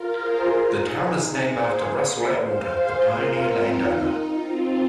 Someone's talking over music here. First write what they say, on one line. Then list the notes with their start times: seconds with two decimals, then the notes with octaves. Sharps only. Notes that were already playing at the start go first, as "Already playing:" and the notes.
The town is named after Russell Attwater, the pioneer land owner.
Already playing: F4 A#4
0.13 G#4 C5
0.77 D#4 G#4
1.43 G#4 C5
2.39 C5 F5
2.72 G#4 C5
3.04 F4 A#4
3.37 C4 F4
3.69 D#4
4.01 D#4
4.33 C4 F4